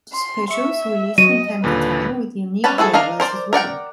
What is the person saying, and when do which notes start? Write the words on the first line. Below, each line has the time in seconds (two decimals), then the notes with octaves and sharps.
There are also specials released from time to time, with unique flavors as well.
0.13 C6
0.51 E5 C#6
1.18 F#3 D#5 D#7
1.64 D#2 A#2 D3 B4
2.64 G3 C#4 B4 A5 B5
2.78 E4 F#4 G#4 A4
2.94 D4 A#4 D#5 F5 A#5
3.20 A#4 C5 D5
3.53 A#4 D5 F#5 G5